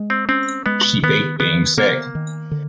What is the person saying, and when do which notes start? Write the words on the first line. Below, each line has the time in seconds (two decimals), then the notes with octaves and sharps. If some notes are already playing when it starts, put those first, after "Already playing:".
She faked being sick.
Already playing: G#3
0.10 C4
0.29 C4 C#4
0.66 G#3 B3
1.03 D#3 B3
1.40 D#3 B3
1.77 A#3 B3
2.15 D#3
2.51 D3